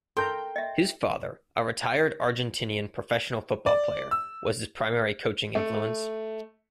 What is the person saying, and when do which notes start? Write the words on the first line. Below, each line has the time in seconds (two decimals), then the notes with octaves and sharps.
His father, a retired Argentinian professional football player, was his primary coaching influence.
0.17 A4 A#4 G5 A#5 C6 G6
0.56 D#5 E5
3.66 D5
4.11 E6
5.55 A3